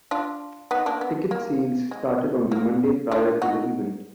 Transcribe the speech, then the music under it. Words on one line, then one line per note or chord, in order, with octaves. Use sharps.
Ticket sales started on the Monday prior to the event.
D4 F4
B3 D#4
A#3 D4
B3
A#3
G#3
A#3
D4 F4
D#4 F#4